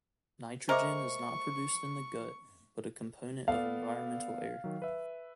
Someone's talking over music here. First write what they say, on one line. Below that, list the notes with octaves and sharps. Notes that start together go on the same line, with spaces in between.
Nitrogen is not produced in the gut, but a component of environmental air.
G#3 A#4 C5 E5 C#6 D6
B3 A4 D5 F5
D#3 F#3
B4 E5